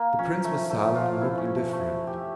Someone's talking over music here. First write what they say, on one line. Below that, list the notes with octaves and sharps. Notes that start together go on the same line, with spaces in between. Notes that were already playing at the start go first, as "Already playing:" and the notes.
The prince was silent and looked indifferent.
Already playing: A#3
F3 C#4
A3
A3
F4
E4
C#4
A3
A3
G4